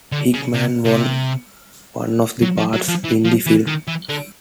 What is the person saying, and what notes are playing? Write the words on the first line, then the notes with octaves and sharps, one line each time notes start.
Hickman won one of the parts in the film.
D3
C#3
C3
C3
F#3
F3
F#3
F3
E3
F3
E3
D#3
E3
D3